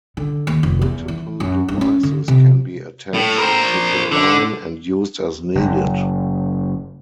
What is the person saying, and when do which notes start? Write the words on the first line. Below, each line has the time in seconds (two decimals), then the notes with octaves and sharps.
Multiple devices can be attached to the line, and used as needed.
0.17 D3
0.47 D#2
0.63 F1
0.82 E2
1.08 E3
1.40 F#2
1.68 G2
1.81 C#4
2.03 D3
2.28 C3
3.14 A2
3.38 A#4 C5
4.11 D3
5.55 F#1